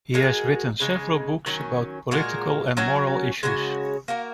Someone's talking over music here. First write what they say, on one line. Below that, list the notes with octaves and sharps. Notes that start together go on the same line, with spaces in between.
He has written several books about political and moral issues.
G#3 F#4 A#4
C#3 G#3 D#4
D#3 F#3 C#4
A#2 G#3 F#4 A#4
F#3 C#4 F#4 A#4
C#3 G#3 F#4 C#5
A#3 F#4 A#4